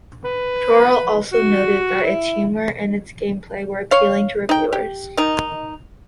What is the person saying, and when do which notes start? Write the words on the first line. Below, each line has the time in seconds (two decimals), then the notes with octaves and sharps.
Torill also noted that its humour and its gameplay were appealing to reviewers.
0.25 B4
1.32 F#4
2.04 E4
3.91 C#5 F5
4.49 D#4 G5
4.72 G4
5.17 D#3 D#4